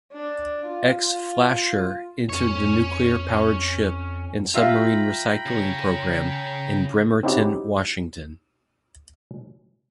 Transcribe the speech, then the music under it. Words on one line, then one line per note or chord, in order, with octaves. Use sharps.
Ex-"Flasher" entered the Nuclear Powered Ship and Submarine Recycling Program in Bremerton, Washington.
D4
F4
F2 C#4 C#5
F4 E5 F5 G5 A#5 B5
C#3 C#5
C4 C#4 D#4 E4 F#4 G4